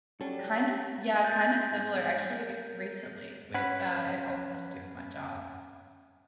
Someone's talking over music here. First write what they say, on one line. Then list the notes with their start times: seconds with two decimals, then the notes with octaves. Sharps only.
Kind of yeah, kind of similar, actually, recently, with, uh it also had to do with my job.
0.21 F#3 G3 C#4 A4
1.24 G3 G6 A6
1.71 G#2
2.39 A#4
3.54 C#4 B4 F#5